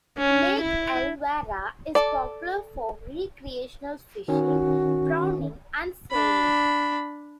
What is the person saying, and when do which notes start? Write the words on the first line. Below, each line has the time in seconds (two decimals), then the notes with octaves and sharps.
Lake Illawarra is popular for recreational fishing, prawning and sailing.
0.19 C#4
0.62 E4
1.95 A4 D5
4.28 D#3 C#4 F#4
6.11 D4 B5